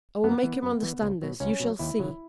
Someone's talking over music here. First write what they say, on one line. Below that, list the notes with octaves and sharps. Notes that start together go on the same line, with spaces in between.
I will make him understand this, you shall see.
F#2 B3
E3
F#2
E3
C#2
B2 F#3
C#2 C#4
B2 F#3
D#2 E4
C#3 F#3